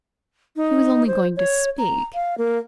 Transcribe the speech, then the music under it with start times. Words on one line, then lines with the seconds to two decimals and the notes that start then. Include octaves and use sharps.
He was only going to speak.
0.56 D#4
1.07 C5
1.37 C#5
1.78 A#5
2.14 F5
2.38 A#3